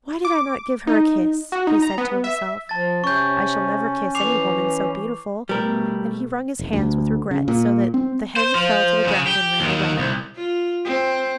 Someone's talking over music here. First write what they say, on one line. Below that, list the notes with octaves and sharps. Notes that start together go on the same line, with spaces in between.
'Why did I not give her a kiss?' he said to himself; 'I shall never kiss any woman so beautiful.' And he wrung his hands with regret, so that the hen fell to the ground and ran away.
D6
D#4
F#4
D#4
A#5
B3
E5
F3 A5 A6
C3 C#4 C#6 G6
E3 D6 C7 F7
B2 G3 A3 A#4
E1
D2
C#3
A#2
C4
C5
F3
A2 C#3
G4
D#2 D#3
C2
F4
C4